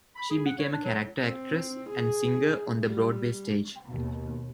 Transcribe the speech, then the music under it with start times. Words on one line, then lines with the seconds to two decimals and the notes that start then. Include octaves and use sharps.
She became a character actress and singer on the Broadway stage.
0.16 B5
0.30 G#4
0.46 F#5
0.59 C#5
0.73 D4
0.85 F#3
1.20 C4
1.90 G#4
2.85 G3
3.86 D#2 B2